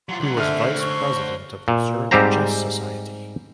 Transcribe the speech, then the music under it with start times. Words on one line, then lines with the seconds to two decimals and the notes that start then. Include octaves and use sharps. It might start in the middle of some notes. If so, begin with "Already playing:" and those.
He was Vice President of the Zurich Chess Society.
0.09 F#3 F4 C6
0.20 C#2 F#3
0.37 D3 C5 E5 G#5 F6
0.80 C#6
1.68 A#2
2.11 G#2 G3 C4 G4 C5 A#5